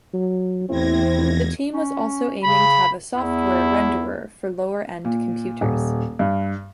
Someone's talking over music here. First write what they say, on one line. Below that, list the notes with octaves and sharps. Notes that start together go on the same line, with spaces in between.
The team was also aiming to have a software renderer for lower-end computers.
F#3
A1 E2 C4 E4 G#6 A#6
F1
C#4
C#3 B5
E2 E4
A#2
D#1
G2